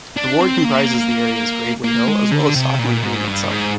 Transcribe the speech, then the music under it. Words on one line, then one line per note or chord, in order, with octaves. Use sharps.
The ward comprises the areas Gravelly Hill as well as Stockland Green itself.
D4
C4
A#3
A#3
G#3
D3
C3
A#2
G#2
G2
G#2